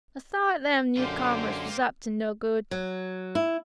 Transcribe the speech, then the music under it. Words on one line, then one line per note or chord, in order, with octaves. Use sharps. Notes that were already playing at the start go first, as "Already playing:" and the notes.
I thought them newcomers was up to no good.
F#2 D3 A#3 F4 G4 C5
F#3
E4